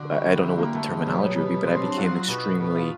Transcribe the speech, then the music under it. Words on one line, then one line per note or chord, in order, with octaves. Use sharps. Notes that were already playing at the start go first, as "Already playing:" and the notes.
uh, I don't know what the terminology would be, but I became extremely
Already playing: D3 F#4
G3 F#4
F#4
D3 E4
A#3
G3 A3
G#3
B2 F#3
F#3
B2 G3
C4 C#4
D4
F#4
F#3 F4
B2 F#4
B2 F#4
F4